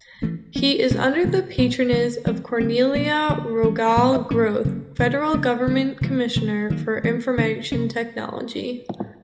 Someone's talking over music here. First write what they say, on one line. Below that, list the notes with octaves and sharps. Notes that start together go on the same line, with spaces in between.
He is under the patronage of Cornelia Rogall-Grothe, Federal Government Commissioner for Information Technology.
E3 A3 C#4
F3 A#3 C#4
B2 G#3 C#4
C3 E3 A3 C4
A#2 F#3 B3
D3 F#3 A3
F3 G#3 C4
D3 G3 C4
B2 F#3 A#3 C#4
D3 F3 A#3
E3 G#3 C#4
A#2 F3 G#3 B3
A2 F3 A#3 C#4
C#3 F#3 A#3 C#4
C3 D#3 G3 A#3
C#3 F3 A3 D4
D3 G3 A#3
C3 E3 G3 A#3
C3 E3 A3 C4
D#3 F#3 A#3
E3 G#3 C4
C#3 E3 A3 D4
C3 F3 A#3 C#4